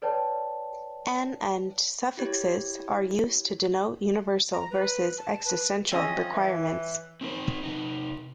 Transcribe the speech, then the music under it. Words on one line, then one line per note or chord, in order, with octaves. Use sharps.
An and suffixes are used to denote "universal" versus "existential" requirements.
A4 B4 C#5 D5 G5 A5
E4 G4 C#5
A#5
B4
A5
B4
G#3 C4 C#4 D#5
F3
E3
C4 D#4 A#4 C5
C3 D#4